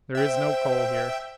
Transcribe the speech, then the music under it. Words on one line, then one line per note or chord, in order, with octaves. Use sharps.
There is no coal here.
C5 E5 G5